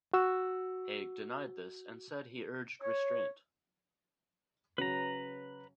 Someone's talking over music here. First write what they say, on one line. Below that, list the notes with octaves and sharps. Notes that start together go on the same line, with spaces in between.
Haig denied this and said he urged restraint.
F#4 E6
C#5
C#3 F#3 B4 A#5